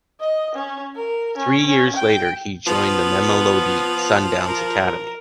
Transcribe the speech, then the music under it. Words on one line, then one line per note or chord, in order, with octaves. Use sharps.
Three years later, he joined the Mamelodi Sundowns academy.
D#5
C#4
A#4
C#4
C#4
G5
F3 B3
A#4